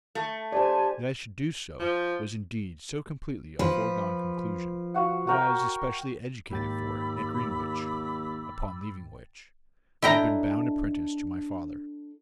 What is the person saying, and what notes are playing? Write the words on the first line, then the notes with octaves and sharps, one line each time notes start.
That I should do so was indeed so completely a foregone conclusion, that I was especially educated for it at Greenwich; upon leaving which, I had been bound apprentice to my father.
A3
G4 C5 D5 G#5 A5
F3
F3 B4
F#4 F5 F#5
F#4 A#4 G5
D#2 G#2 G5 B5 D6 E6 A6
D4 E4 A4 D#5 G5 A#5